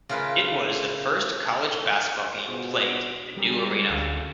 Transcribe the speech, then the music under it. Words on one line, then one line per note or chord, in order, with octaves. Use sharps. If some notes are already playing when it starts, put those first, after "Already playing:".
It was the first college basketball game played in the new arena.
C#3 A3 F4 A#4 B4
B2 F4 G#4 C5
A#6
C#3 G3 D4 G#4 A#4
D2 D4 A4 F5